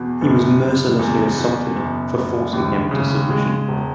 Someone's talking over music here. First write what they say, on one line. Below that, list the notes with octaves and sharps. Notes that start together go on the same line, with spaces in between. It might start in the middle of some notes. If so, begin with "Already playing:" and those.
He was mercilessly assaulted for forcing him to submission.
Already playing: E2 B2
F#1
F#1
E2
B2
F#1
F#1
D#2
C#3
G#3
E1